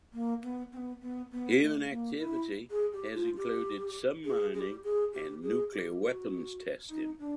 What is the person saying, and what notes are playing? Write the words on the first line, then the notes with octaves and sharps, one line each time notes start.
Human activity has included some mining and nuclear weapons testing.
A#3
B3
C4
B3
B3
B3
A3
A#3
E4
G#4
G4
F4
G4
G#4
G#4
G4
G#4
G4
G#4
G4
G4
F#4
D#4
D4